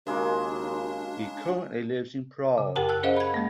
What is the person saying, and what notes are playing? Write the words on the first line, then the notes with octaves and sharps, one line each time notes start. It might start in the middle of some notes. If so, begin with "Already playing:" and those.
He currently lives in Prague.
D#2 C#3 G#3 A#3 D4 F#4
C#3
F#2 G4 A#4 F#5 A5
A5 E6 F#6
C#4 G#4 C5 D#5 F5 F#5
B5 G#6
G#3 A#3